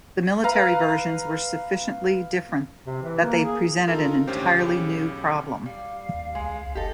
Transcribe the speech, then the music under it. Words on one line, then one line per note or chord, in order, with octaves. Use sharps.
The military versions were sufficiently different that they presented an entirely new problem.
B4 F5 A#5
C3
E3
A#3
G#4
D#4 F4 A4 A#4
G#1 D2 C#4 G4 C5
B1 C#3 G4
G3 F5
D#2
C#2 G#3
F#1 G4 A4 D#5